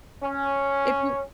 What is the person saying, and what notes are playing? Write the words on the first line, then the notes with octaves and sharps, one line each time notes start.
if you
C#4